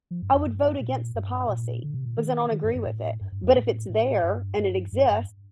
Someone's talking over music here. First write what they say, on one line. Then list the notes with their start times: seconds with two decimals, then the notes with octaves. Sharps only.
I would vote against the policy because I don't agree with it. But if it's there and it exists
0.11 F3
0.22 G2
0.34 F2
0.45 G2
0.80 A#2
1.15 G2
1.49 A#2
1.84 D3
1.94 C3
2.06 A#2
2.17 D#3
2.52 D#3
2.64 G2
2.75 G2
2.86 A2
3.21 G2
3.32 G2
3.44 F2
3.55 A2
3.89 A2
4.23 G2
4.58 G2
4.93 G2
5.10 G2